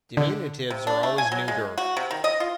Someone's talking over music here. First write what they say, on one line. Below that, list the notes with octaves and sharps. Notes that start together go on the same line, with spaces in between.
Diminutives are always neuter.
D3
C3
D4
A3
G#5
F#3
G#3
F#4
C3
D#3
D#5
F4